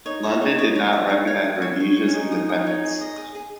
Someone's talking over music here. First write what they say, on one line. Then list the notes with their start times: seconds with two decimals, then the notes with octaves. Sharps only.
London did not recognize Rhodesia’s independence.
0.06 D#4 C#5
0.24 D#4 C#5
0.41 D#4 C#5
0.58 D#4 C#5
0.76 C#5
0.93 D#6
1.10 C#5
1.27 C#5
1.44 D#6
1.62 C#5
1.80 C#5
1.97 C#5
2.07 C#4
2.14 D#4 G#5
2.32 D#6
2.49 D#6
2.67 C#5
2.84 G#4
3.01 D#5
3.18 G#4
3.35 G#4